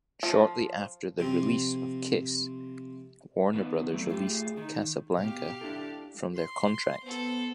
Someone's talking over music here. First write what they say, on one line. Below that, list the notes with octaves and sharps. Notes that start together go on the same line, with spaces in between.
Shortly after the release of "Kiss", Warner Brothers released Casablanca from their contract.
F3
C3 F3 C4
B2 D#3 B3
F#3 A3 C4
A2 F4 G4
G#4
D#3 D#4
B2 G4 F5
D4 E4 A4
C6
B3 A4 C5